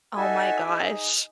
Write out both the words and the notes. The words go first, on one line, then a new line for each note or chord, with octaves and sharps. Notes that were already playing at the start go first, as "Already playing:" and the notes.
Oh my gosh.
D#4 F#4 A4 E5 G#5
D#4 G#4